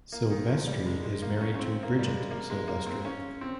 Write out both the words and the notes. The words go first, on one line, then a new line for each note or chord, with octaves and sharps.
Silvestri is married to Bridget Silvestri.
A#3
D#3
F3
G3
G#3
G#3
A#3
C#4
C#4
C4
A#3
G3
G#3
A#3
G#3
A#3
C4
C#4
C4